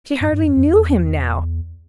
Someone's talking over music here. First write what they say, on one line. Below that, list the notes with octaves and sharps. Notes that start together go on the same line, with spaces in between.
She hardly knew him now!
G2
G2
F2
F2
E2